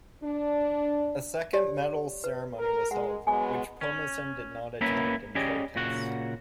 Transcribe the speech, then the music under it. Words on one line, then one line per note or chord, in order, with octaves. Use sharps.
A second medal ceremony was held, which Pomazan did not attend in protest.
D4
G4 C#5 D5
B4
A#4
G#3 F#5
F#3 G#3 B3 G#5 D6
C#4
A#3 B3 C#4 E4 A#4 B4
C#4 G4 G#4 D5 D#5
A#2 C#3 F#4 F#5